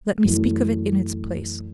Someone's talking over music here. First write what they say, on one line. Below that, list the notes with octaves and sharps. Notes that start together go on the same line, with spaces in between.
Let me speak of it in its place.
F#2 E3 A3